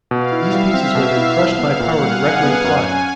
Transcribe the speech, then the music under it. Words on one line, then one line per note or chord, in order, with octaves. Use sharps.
These pieces were then crushed by power directly applied.
B2 F5
E4
E5
G3
C4 F5
B2
E4
C2 F5
B3
F#5
A#2
G3 G#5
C2
B3
F#2 G#5
C#4